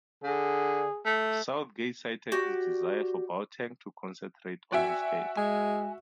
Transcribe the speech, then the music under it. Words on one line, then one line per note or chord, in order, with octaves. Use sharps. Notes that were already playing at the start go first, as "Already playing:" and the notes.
Southgate cited his desire for Boateng to "concentrate on his game".
D3 G#4
A3
F#4 G4 D5
F#4 D5 E5 G5 G#5
G#3 G#5